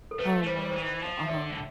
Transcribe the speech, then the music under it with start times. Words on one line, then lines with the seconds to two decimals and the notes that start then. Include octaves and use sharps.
Oh, wow. Uh-huh.
0.11 A4
0.19 A3 B4
0.43 A3
0.46 G3 C5
0.59 D5
0.70 E3 C5
1.02 F3
1.24 E5
1.29 D3 D5
1.50 A2